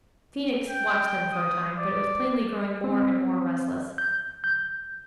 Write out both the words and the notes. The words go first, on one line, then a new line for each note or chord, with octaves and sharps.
The Phoenix watched them for a time, but it was plainly growing more and more restless.
G5
D#6
D5
C4
G6
G6